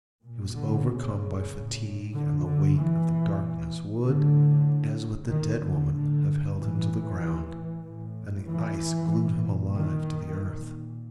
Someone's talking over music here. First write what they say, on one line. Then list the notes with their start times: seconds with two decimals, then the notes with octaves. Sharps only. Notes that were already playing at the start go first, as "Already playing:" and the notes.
He was overcome by fatigue, and the weight of the darkness would, as with the dead woman, have held him to the ground, and the ice glued him alive to the earth.
0.23 A#2
0.55 D3
0.87 C#3
1.50 A2
2.14 D3
2.45 D3
2.77 A#2 E3
4.04 A2 D3
5.31 A2 D#3
5.62 D3
5.94 D3
6.57 A2 E3
7.85 A2
8.48 E3
9.11 A#2
9.75 D#3
10.38 A#2